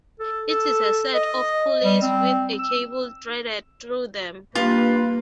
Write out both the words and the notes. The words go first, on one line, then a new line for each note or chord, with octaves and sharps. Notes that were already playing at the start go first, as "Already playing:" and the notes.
It is a set of pulleys with a cable threaded through them.
A4
A4
D#5
G3
C4
E6
G2 A#3 F4 B4